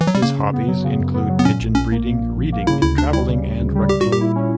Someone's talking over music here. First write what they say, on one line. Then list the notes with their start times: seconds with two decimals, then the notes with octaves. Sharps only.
His hobbies include pigeon breeding, reading, travelling and rugby.
0.01 E3
0.07 F#3
0.15 G3
0.22 C#3 A#3
0.38 F#2
0.53 B3
0.68 F#3
0.84 C#3
0.99 F#2
1.14 B3
1.29 F#3
1.39 B3
1.45 A#2 C#4
1.61 A#1
1.75 A#1 C#4
1.91 A#3
2.07 A#2
2.21 A#1
2.37 A#1
2.52 A#3
2.67 C#3 E4
2.82 D2 E4
2.98 D2 D4
3.13 G3 E4
3.29 C#3
3.44 D2
3.59 D2
3.75 G3
3.89 G3 G4
4.01 A#2 F#4
4.12 G4
4.21 E4
4.36 C#4